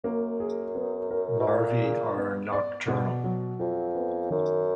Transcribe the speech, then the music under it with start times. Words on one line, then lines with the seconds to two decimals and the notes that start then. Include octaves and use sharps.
Larvae are nocturnal.
0.04 F#2 A#3
0.40 G#4
0.75 B3
1.11 A#4
1.39 B2
1.46 A#2 D5
1.82 G#4
2.17 B3
2.52 D5
2.88 B2
3.24 F#3
3.59 F2 F4
3.95 B3
4.30 F#2 D#3